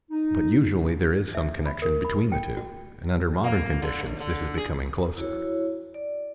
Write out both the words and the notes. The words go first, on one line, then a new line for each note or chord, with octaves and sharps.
But usually there is some connection between the two, and under modern conditions this is becoming closer.
D#4
E5
B5
A#4
B5
G5
F#4
A#3
D3
D#2
D3
G#4
E4 F#4 C#5
D5